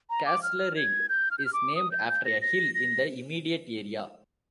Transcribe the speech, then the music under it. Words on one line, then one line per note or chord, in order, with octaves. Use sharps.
Castlerigg is named after a hill in the immediate area.
A#5
D6
F6
G#6
G6
F6
G6
F6
D6
D#6
G6
G6
A#6
A#6
A#6